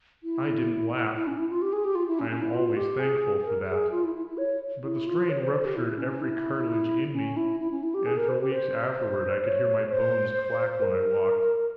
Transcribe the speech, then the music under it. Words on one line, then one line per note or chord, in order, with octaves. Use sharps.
I didn't laugh--I am always thankful for that--but the strain ruptured every cartilage in me, and for weeks afterward I could hear my bones clack when I walked.
E4
E4
C#4
E4
F4
G4
G#4
G4
F4
E4
C#4
C#4
E4
F4
G4
G#4
A#4
G#4
F4
E4
E4
E4
C#5
E4
F4
C#5
C5
C5
G4
E4
C#4
E4
C#4
E4
E4
C#4
E4
G4
G#4
A#4
C5
G4
C5
C5
C#5
C5
C5
A#4